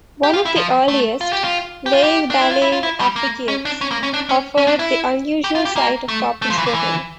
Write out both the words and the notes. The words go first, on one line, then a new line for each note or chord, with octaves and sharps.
One of the earliest, Les Ballets Africains, offered the unusual sight of topless women.
G4
F4
E4
F3
A3
F4
G4
F4
G4
F4
G4
D4
E4
F4
E4
F4
E4
G3
A#3
C#4
D4
C#4
A#3
C#4
D4
C#4
C#4
D4
E4
G4
F4
G4
A#3
A3
A3
F3
E3
D3
E3